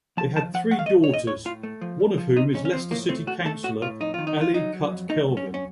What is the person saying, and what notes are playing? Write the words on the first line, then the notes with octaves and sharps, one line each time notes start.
They had three daughters, one of whom is Leicester city councillor Elly Cutkelvin.
F3 A5
F3 A5
F3 F#5
A3 F#5
F5
D#5
C2
C#5
A#2 D#5
A2 C#5
A2 F4
A3
F3
F2
F3
C3 D#4
F2 C#4
C#4
F3 C4
A2 A#3
A3 C4
A3 F#4
A3 A4
A2 F#4
A2 F4
F2 D#4
D#3 F4
D#4
F2 F4
F#3 D#4
F#3
F2
A3 D#4
F#2
C#4
F#2
C#4